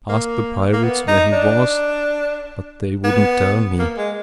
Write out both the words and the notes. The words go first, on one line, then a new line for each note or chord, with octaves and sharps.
I asked the pirates where he was; but they wouldn't tell me.
A#3
A#3
B3
D#4
D4
B3
A#3
G#3